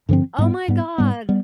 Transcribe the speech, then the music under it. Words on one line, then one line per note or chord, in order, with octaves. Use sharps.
Oh, my god. E
G2 D3 F3 C4
G#2 G3 B3
G#2 G3 B3
G#2 G3 B3
G3 B3